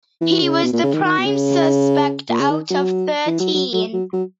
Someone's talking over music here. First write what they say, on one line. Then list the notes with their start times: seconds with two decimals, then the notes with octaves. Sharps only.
He was the prime suspect out of thirteen.
0.21 E3
0.42 C#3
0.62 B2
0.73 A#2
0.83 C#3
0.93 D#3
1.04 D#3
1.18 B2
1.25 C#3
2.29 A#2
2.39 C#3
2.50 D#3
2.70 F#3
3.26 E3
3.39 F#3
3.54 F#3
3.73 F#3
3.93 F#3
4.13 F#3